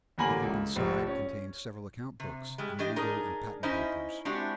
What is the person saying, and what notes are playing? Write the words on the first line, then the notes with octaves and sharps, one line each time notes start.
The open side contained several account books and legal and patent papers.
A1 D3 A#3 G#5 B5 F#7
C#2
F1 A#1
C#4
C3
G3 G#3
E3 D4 G4 D#5
D4 D#4 G#4 A#4
C#4 D#4 E4 C5 D#5
G#3 C4 D4 E4 F#4 G4